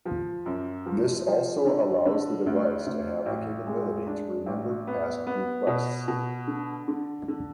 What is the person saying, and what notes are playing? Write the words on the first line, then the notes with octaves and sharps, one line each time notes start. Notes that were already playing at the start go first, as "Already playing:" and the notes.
This also allows the device to have the capability to remember past requests.
F3
F#2
F3
F3
D3
D3
D2
D2
A1
G#3
D4
A1
B3
B3
B2
B2
D3
D3
D3